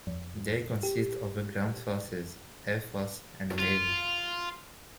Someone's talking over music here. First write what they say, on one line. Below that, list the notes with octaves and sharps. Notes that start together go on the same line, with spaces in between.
They consist of the ground forces, air force, and navy.
F2
G4
F4